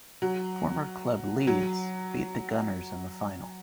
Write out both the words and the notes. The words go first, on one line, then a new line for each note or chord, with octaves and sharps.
Former club Leeds beat the "Gunners" in the final.
F#3
F#3